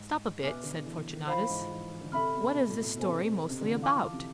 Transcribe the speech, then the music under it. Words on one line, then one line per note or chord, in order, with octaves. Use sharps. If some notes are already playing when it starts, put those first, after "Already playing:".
"Stop a bit," said Fortunatus; "what is this story mostly about?"
Already playing: G#2
B2 B4 E5 G#5 D6 F6
B2
D3
D3
E3
F3 C5 F5 B5
E3
G#2
F3
E3
E3
D3
C3 A4 E5 B5 F6
B2
B2
A2
A2
B2 A4 C5 G#5
C3
B2
C3
D3
E3
F3 F5 A5 D6 F6
E3
C3